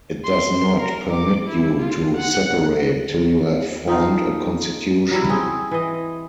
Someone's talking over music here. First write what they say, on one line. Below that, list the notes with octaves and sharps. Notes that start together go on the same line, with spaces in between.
It does not permit you to separate till you have formed a constitution.
C6
A#4
D6
E4
F4
F#5
F3 D#4 F5
F#3 G3 E4
C4 G#4 G5
E3 D#5